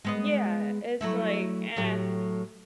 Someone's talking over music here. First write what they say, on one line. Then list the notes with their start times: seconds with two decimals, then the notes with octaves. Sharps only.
Yeah, it's like, "Eh,
0.05 G#3 B3 D#5
1.01 F#3 A3 E4
1.76 A2 F#3 G4